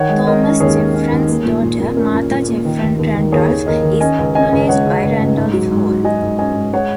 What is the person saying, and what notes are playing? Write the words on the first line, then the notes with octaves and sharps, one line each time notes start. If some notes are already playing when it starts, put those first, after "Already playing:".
Thomas Jefferson's daughter, Martha Jefferson Randolph, is acknowledged by Randolph Hall.
Already playing: D#3 C#5 F#5
G#3
G#3 A#4 D#5
C#4
D#2 G#4 C#5
C#4
C#4
D#2
A#3
A#2
A#2
A#2
C#4 A#4
A#2
A#2
A#3
D#3
D#2
D#2
D#3
D#2 G#4 C#5
D#2
D#2 A#4 D#5
D#3
C#4 D#5 G#5
C#2
C#4 D#5 G#5
C#2
G#3 C#5 F#5
C#3
C#2
C#2
G#2
F#3
G#2
F#3
F#3 D#5 G#5
G#2
C#4 D#5 G#5
G#2
G#3 C#5 F#5